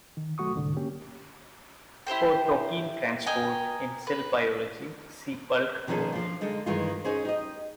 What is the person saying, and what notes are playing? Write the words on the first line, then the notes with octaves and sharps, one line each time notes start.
For "protein transport" in cell biology see Bulk movement.
D#3
C2 F#3 A3 F#4 C#6 D#6
C2 G#2 D3
A#3 C#4 G4
E4 G4 C5 G5
A#4 D#5 G5 G#5
B4
B2 D#3 F3 C#4 G#4 A4
F3 D4 F4
D3 G#3 D#4 A4
G2 D#3 E3 G#3 D#4 F4
C#4 D#4 G#4 C5
D#4 G4 D#5